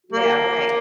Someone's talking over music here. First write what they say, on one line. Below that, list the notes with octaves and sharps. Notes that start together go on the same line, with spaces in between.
Yeah, right.
A#3